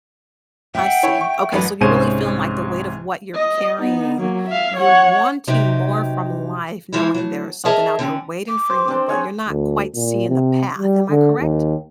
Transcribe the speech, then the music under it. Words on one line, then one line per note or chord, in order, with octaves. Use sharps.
I see. Okay, so you're really feeling, like, the weight of what you're carrying you're wanting more from life knowing there's something out there waiting for you, but you're not quite seeing the path. Am I correct?
E5 F#5 G5
E4 C#5 G#5
C#6
A1 F#2 B4
C2 G#2 C#4 C5 D#7
D#5
B3 D#4
F#3 A#3
E5 F5
C#5 F#5
C3 F#3 D#4 G4
E3 F3 G#3 B3 E4
F#3 A3
G#4 A#4 C#5 D#5 E5 A5
D3 C4 C#4
D6
G4 C5
C4 D4
G#4 C#5
D2
A#2
C3
G3
D3
D#2